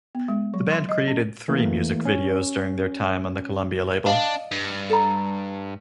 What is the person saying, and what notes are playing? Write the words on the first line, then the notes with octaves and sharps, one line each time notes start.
The band created three music videos during their time on the Columbia label.
B3
G#3
F#3
C6
D#5
C#4
E3 A3 A#3
C#4
D4 D5 D#5 F5
G2
A4 A#5